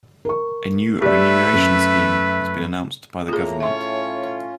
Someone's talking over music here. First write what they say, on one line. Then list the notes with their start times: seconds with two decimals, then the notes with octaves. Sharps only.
A new renumeration scheme has been announced by the government.
0.25 A#4 C#6
1.02 A3 G4 B4 D5 E5
1.53 F#2
3.29 A2 A#3 F4 G#4 A#5
3.60 C#4 F4 C#5 E5 C6